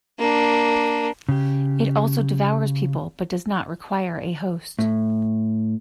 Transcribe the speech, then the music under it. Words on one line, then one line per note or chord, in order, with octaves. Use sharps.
It also devours people, but does not require a host.
A#3 D4
C#3 G4
A2